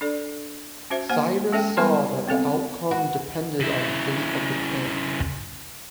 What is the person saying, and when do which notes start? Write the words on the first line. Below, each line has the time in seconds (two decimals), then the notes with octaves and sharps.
Cyrus saw that the outcome depended on the fate of the king.
0.01 D4 A4 D5
0.90 C#4 F#4 C5 E5
1.09 A#3 C5 F#5 G#5
1.52 G#3 C#4 A4 E5 G5
1.77 G3 B3 E4 A#4 A5 C6
2.27 B3 C4 A4 F5
2.91 F#4
3.60 C#3 E4